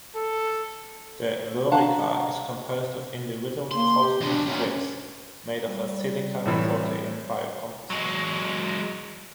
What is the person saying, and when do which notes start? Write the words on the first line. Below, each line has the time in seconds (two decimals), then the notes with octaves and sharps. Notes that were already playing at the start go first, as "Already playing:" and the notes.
The lorica is composed of individual costal strips, made of a silica-protein biocomposite.
0.16 A4
1.72 D4 F5 F#5 A5 A#5
3.71 A#3 C6
3.98 G4
4.21 F2 C#3 D4
4.46 F#2 A#2 C#4
5.67 G3
6.46 A2 C3 E3
7.90 F#3 G#3